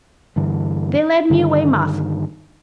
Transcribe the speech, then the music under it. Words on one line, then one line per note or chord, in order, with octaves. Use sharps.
They led me away masked.
G2 D3 E3
G2 D3 D#3